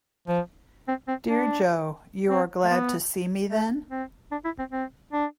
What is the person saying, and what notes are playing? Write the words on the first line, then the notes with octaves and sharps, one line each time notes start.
Dear Jo, you are glad to see me, then?
F3
C4
C4
D4
C4
A3
B3
A3
C4
D4
E4
C4
C4
D4